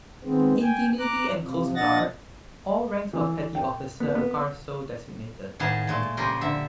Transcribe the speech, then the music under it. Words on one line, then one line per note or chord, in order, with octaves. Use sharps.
In the Navy and Coast Guard, all ranks of petty officer are so designated.
D#3 G#3 B3 C4
G5 G#5
A#5 D6 F#6
C3 F3
F3 D4 D#5 F#5 A6 A#6
E3
G5
B3
B3
A2 D#3 B3 G#4 F5 A5
A#2 G#3 A3
C#3 F3 F4 G4 A#4 D#5
D3 E5